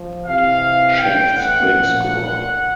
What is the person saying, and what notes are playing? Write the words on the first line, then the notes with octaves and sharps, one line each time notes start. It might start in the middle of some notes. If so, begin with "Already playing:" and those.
Shaft's Big Score!
Already playing: F3
C3 E3 F5
A2 E3 G5
F#5
A#2 F3